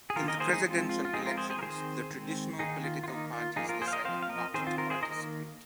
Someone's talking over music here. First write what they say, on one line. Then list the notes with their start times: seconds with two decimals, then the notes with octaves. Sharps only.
In the presidential elections, the traditional political parties decided not to participate.
0.10 G#4
0.16 D#3 F4 A#4
0.21 A#3
0.28 A#4 D#5
0.40 G#4 C5
0.53 D#4 G#4
0.65 F3 G#3 C4 F4
0.89 F4
1.05 F4
1.13 F3 G#3 C4 D#4 G#4
1.26 F4 A#4
1.37 G#4 C5
1.50 G#4 C5
1.59 A#4
1.62 D#3 C4 G#4 C5
2.10 D#3 G#3 C4
2.59 D#3 A#3 D#4 G#4
2.84 F4
3.04 F4
3.08 D#3 A#3 D#4
3.33 F4
3.56 F3 A#3 D#4 G#4
3.69 F4 A#4
3.82 G#4 C5
3.88 F5
3.93 A#4 D#5
4.05 F3 C4 C5 F5
4.23 F5
4.29 A#4 D#5
4.54 D#3 C4 G#4 C5
4.67 F4
4.78 F4 A#4
4.90 G#4 C5
5.02 D#3 A#3 A#4 D#5